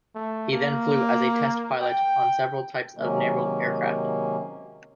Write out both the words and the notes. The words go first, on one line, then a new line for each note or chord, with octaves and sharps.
He then flew as a test pilot on several types of naval aircraft.
A3
A#3
G5
C3 D#3 F#3 G#3 A#3 C#4